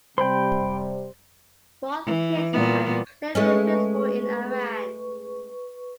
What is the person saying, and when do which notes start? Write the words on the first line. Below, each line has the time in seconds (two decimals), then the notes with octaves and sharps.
Both cases are clearly visible in Iran.
0.18 C3 G3 C5 G5 B5 C6
2.04 E3
2.52 A#2 G3 B3
3.35 G#3 A3 C#4 B4 C#6